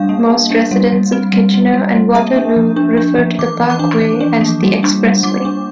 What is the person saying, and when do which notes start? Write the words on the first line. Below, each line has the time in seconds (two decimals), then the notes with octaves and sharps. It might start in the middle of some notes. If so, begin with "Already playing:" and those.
Most residents of Kitchener and Waterloo refer to the parkway as "The Expressway".
Already playing: G3 D4 F5
0.09 A#3
0.30 A#3
0.50 D4
0.71 G3
0.92 G3
1.12 C4
1.33 G3
1.54 G3
1.74 G3
1.95 G3
2.15 A#3 E5
2.36 D4
2.56 F3
2.76 D4
2.97 D4
3.18 F3
3.39 E3 D6
3.60 E3
3.70 D6
3.79 D4
4.00 E3
4.20 D4
4.41 A#3
4.63 G3
4.83 D4
5.03 G3
5.23 G3 D6
5.45 D4